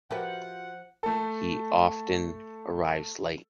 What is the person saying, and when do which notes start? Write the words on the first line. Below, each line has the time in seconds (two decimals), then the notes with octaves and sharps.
He often arrives late.
0.11 F3 F#4 G4 A#4 B4 E5 F#5 G5
1.03 A3 A4